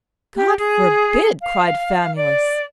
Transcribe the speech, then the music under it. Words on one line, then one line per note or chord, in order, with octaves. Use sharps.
"God forbid!" cried Famulus.
G4
G#4
F5
D5